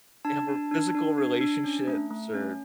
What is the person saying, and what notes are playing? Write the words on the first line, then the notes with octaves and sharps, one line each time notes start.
they have more physical relationships or
D4 A5
D4
D4
D4
D4
D4
C#4
A3
A3
C#4